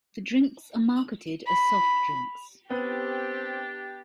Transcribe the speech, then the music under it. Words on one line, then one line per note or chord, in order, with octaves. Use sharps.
The drinks are marketed as soft drinks.
B5
B3 C4 D4 G4